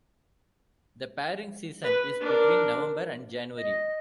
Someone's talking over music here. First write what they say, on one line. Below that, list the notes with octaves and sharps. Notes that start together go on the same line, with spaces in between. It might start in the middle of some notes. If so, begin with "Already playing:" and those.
The pairing season is between November and January.
B4
D4 A#4
D#5